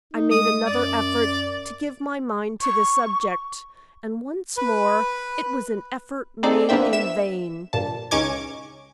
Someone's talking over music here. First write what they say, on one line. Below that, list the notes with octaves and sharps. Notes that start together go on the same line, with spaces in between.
I made another effort to give my mind to the subject--and once more it was an effort made in vain.
D#4
G#3 D#6
F#2 D5
C#6
B4
C4 D#4 G#4 A4 D5
A#3 B3 D4 C5 E5 G5
E5 E7
G1 A#2 A5
C#2 C#4 D#4 C#6 D6 G#6